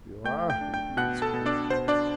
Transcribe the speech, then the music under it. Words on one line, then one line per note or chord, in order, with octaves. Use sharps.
"You are?" repeated Scrooge.
A3 G5 G6
G5 G6
D4
G5 G6
B2 F#5 F#6
A4 A5
B2
D4 D5
B2 C5
D4 D5